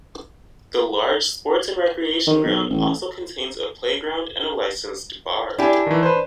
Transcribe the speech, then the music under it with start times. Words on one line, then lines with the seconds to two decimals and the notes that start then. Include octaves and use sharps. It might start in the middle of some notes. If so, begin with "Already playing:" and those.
The large Sports and Recreation ground also contains a playground and a licensed bar.
2.27 D#3
2.45 B1
2.70 A1
5.58 D4 E4 G4 G#5
5.87 D#3 E3
6.03 B4 C5